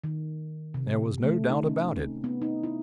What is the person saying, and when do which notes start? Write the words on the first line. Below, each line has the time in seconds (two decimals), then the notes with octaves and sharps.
There was no doubt about it.
0.04 D#3
0.74 C3
1.24 A3
1.50 D#4
1.65 C#4
1.97 C4
2.24 B3
2.42 D#4
2.63 E4